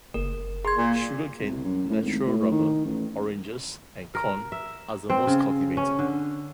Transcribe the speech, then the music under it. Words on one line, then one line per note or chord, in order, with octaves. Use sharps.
Sugarcane, natural rubber, oranges and corn are the most cultivated.
F#1 A#4
G#4 C6 G#6
A#2
C2
F#2
A2
G#1
A2
D#3
A1
A#4
E5
C4
C#3
C#4
D3